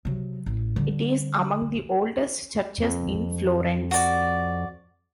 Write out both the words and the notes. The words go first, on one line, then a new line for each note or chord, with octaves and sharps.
It is among the oldest churches in Florence.
C3 F#3
A1
D3 G3
F2
F#4 D5